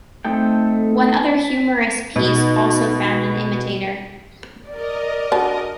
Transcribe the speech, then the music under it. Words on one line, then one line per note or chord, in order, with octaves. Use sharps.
One other humorous piece also found an imitator.
A3 C4 D#4 A4 G5
B2 D#4
A#4 D5 D#5
D3 F#4 G#4 A5